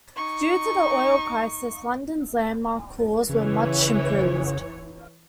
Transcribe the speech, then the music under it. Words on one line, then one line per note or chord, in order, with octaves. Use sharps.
Due to the oil crisis London's landmark halls were much improved.
D#4 C#6
C#3 E3 C#5